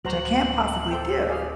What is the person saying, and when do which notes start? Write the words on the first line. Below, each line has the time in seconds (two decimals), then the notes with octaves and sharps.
Which I can't possibly do.
0.05 D1 F#3 F#4 C5 A#5 F#7
0.91 A4 C5 G5 E6
1.27 G4 G#4 F5